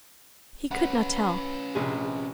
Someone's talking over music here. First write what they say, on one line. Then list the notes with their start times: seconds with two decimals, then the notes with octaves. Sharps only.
He could not tell.
0.71 C#4 B4 F#5 B5
1.75 A#1 C3 G#4